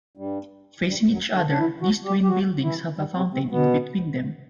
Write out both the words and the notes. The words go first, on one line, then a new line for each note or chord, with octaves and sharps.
Facing each other, these twin buildings have a fountain in between them.
G2 G3
G2 G3
F#2 F#3
D3 D4
D4
E3 E4
F#3 F#4
G3 G4
G4
F#3 F#4
E3 E4
G2 G3
C3 C4
C3 C4
B2 B3